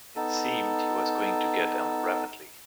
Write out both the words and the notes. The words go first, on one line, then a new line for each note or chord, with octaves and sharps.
It seemed he was going to get on rapidly.
B3 D#4 A4